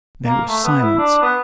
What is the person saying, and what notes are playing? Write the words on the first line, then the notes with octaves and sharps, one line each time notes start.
There was silence.
A#3
A3
B3
E4
D4
B3